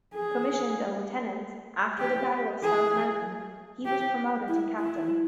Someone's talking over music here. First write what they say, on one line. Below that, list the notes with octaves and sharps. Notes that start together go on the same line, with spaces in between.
Commissioned a lieutenant, after the Battle of South Mountain he was promoted to captain.
G#4
G4
G#4
G4
E4
E4